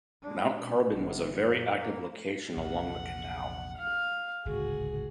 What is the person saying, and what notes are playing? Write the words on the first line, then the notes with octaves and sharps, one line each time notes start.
Mount Carbon was a very active location along the Canal.
G#3 D4
B2
G1 C3
F#2 A#2
A#3
A#1 E2 C3 F#5
F5
D1 G#1 C#2 F#4 G#4